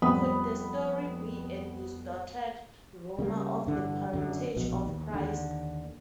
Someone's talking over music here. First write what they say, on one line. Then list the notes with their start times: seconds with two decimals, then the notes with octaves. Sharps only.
Could the story be a distorted rumor of the parentage of Christ?
0.02 F2 G3 B3 C4 B5 D#6
3.19 C#3 G3 A#3
3.67 G2 D3 E3
4.13 F#2 D3
4.56 A#1 B2
4.86 D#2
5.13 D#2 D3